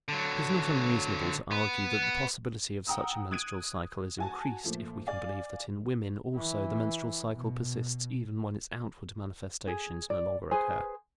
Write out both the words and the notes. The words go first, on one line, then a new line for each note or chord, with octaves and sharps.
It is not unreasonable to argue that the possibility of such a menstrual cycle is increased, if we can believe that in women, also, the menstrual cycle persists even when its outward manifestations no longer occur.
D3 F#3
B3
F#5 G5 A#5 D#6 E6
D#6 F#6 G#6 D7 D#7
F#4 G#5 A5
A#2 F3 A3
D5 F5 G#5
E3
B2
G#4
D5
G#4 B4 C5 G#5